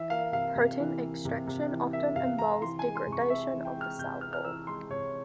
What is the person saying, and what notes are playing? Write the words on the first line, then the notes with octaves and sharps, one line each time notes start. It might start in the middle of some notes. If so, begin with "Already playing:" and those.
Protein extraction often involves degradation of the cell wall.
Already playing: E3 E5
A#3 F5
C3 F5
C3
E3
A#3
C3
C3
E3
A#3 E5
C3 F5
C3 A#5
E3 C6
G#5
G#3
C6
C3 C#6
C4 E5
E3
G5
G#3
F6
C3 G6
C4 F6
F6
E3 E6
G#3 C6
C3 C#5